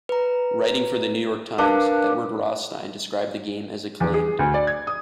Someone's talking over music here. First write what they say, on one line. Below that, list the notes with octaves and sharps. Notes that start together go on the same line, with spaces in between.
Writing for the New York Times, Edward Rothstein described the game as acclaimed.
B4 A#5
D4 A#4 B4 F5
E2
G#4
D2
D5
G#6
D#6